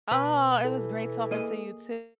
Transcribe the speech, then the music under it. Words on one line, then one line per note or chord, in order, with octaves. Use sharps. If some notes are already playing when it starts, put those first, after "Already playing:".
Aw, it was great talking to you too.
B2 B4
E3 A4
A#3 G#4 D#5